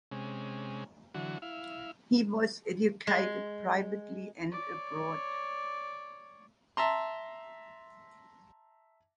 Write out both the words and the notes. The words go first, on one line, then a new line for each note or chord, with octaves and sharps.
He was educated privately and abroad.
C3 G#3 C#4
D3 E3 F#3 F#4
E4 F5
G#3
C#5 D5
E5 A5 A#5 C6